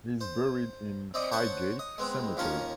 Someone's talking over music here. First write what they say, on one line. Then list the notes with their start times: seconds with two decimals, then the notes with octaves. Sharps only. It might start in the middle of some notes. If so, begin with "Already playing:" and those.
He is buried in Highgate Cemetery.
0.21 C5
1.14 C4 D5 D#5
1.32 C5 C#5 F#5 A5 C6 C#6
1.79 D#5
1.98 G#3 B3 C4
2.37 D#2 F3 C#4 A#4 C#5 A5